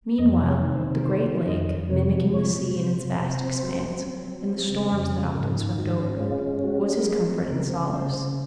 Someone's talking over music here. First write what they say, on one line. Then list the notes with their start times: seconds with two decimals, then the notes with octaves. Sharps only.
Meanwhile, the great lake, mimicking the sea in its vast expanse and the storms that often swept over it, was his comfort and solace.
0.18 F2 D#5
0.39 C3
0.47 C#5
0.61 D#3
0.75 C5
0.83 C3
0.95 A#4
1.04 D#3 C5
1.26 D#3
1.47 F2 D#5
1.69 F2
1.90 C3 C#5
2.12 F3
2.34 C3 C#5
2.55 C3
2.76 C3 C5
2.98 C3
3.19 C3 C5
3.41 C4
3.62 F#3
3.84 F#3
4.06 C4
4.27 F#3
4.48 C4
4.70 C#3
4.92 F2
5.13 C#3
5.35 G#2 A#4
5.56 D#3
5.78 G#2 F#4
6.00 C#4
6.20 G#3 F4
6.42 C#4
6.64 G#3 F#4
6.85 G#3
6.98 A#4
7.07 F#3 G#4
7.28 C4
7.50 C#3 A#4
7.71 C#3
7.93 C#3 C5
8.14 C#3